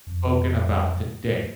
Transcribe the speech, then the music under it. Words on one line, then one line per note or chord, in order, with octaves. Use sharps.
spoken about today,
F2